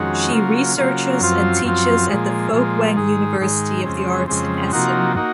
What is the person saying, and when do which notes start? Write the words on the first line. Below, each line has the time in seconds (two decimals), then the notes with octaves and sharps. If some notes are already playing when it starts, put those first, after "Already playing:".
She researches and teaches at the Folkwang University of the Arts in Essen.
Already playing: F2 D#3 G#3 C#4 F#4
0.33 C#3 F#3 A#3 F4
0.76 C#3 F#3 A#3 F4
1.20 F#2 F3 C4 F4
1.64 F#2 F3 C4 F4
2.09 A#2 F3 G#3
2.52 A#2 F3 G#3
2.96 G#2 D#3 G#3
3.40 G#2 D#3 G#3
3.84 F2 C#3 G#3 C4
4.28 F2 C#3 G#3 C4
4.73 C3 F3 A#3 D#4 F#4
5.16 A#3 D#4 F#4